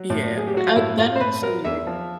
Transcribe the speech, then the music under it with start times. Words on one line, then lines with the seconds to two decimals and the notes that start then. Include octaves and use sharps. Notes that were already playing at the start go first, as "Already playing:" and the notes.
Yeah, I that actually,
Already playing: F#3
0.10 A2
0.32 F#3
0.38 G#4
0.47 G4
0.54 F#3 F#4
0.67 F4
0.76 A2 E4
0.98 A2 F4
1.16 C5
1.20 A2 B4
1.42 F#3 A#4
1.64 E2 E5
1.87 F3